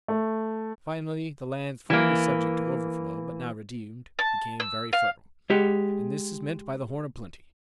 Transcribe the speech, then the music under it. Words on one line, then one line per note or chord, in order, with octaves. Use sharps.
Finally, the lands formerly subject to overflow, but now redeemed, became very fertile, and this is meant by the horn of plenty.
A3
E3 A#3
A5
E6
F5
G#3 G4 F#5